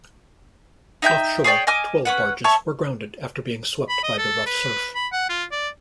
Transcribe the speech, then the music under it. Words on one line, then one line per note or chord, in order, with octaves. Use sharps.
Offshore, twelve barges were grounded after being swept by the rough surf.
D#4 E5 G5 G6
G#4 C#5 D5 G5
D#5 G#5 D6 F6
C#4 B4 F#5
C#5 E5 A5 C#6
B5
D#5
A4
B4
B5
F#5
F4
D5